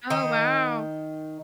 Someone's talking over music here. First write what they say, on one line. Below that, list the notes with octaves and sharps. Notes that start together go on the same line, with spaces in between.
Oh, wow.
D#3 D#5